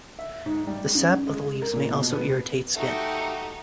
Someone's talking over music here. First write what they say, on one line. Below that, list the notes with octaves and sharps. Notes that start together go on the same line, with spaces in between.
The sap of the leaves may also irritate skin.
E5
G#2
G3
C#3
G#3
A#4
A#2
B2
B3
A3 D#4 F#4 G4 F#5